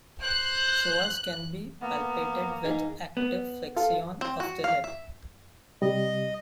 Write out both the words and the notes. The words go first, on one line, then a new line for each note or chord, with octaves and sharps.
Psoas can be palpated with active flexion of the hip.
C5 F#6
A#3 B3
D#4 G#4
B3
F4 A4 F5
C4
F#4
F5
E5
C3 G3 D#5